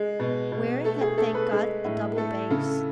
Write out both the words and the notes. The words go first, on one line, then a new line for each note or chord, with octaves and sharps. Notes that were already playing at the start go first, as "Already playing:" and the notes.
Where had they got a double bass?
Already playing: G#3
B2
B2
A3 A4
G#4
A3 A4
B4
G#3
A2
A3 A4
C#3 A4